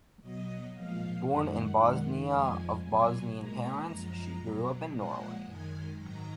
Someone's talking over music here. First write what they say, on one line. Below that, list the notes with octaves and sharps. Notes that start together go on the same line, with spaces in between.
Born in Bosnia of Bosnian parents, she grew up in Norway.
B2 F#3 D#5
A#2 F3 G#3 F5
F#2 D#3 G#3 F#5
F#2 D#3 G#3
F2 F3 G#3 G#5
B2 F#3 G#5
A#2 G#3 A#5
F#2 F3 G#3
B2 F#3
A#2 F3 G#3 F#5
F#2 D#3 G#3 G#5
G#2 D#3 F#3 A#5